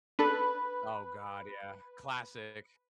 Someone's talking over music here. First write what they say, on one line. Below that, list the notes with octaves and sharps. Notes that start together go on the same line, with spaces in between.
Oh God, yeah, classic.
D4 A4 B4